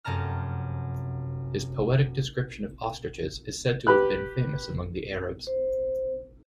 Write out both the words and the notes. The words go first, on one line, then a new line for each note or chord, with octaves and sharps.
His poetic description of ostriches is said to have been famous among the Arabs.
F1 F#2 C3 A5 A#5 F6
G4 B4 B5 F#6
C5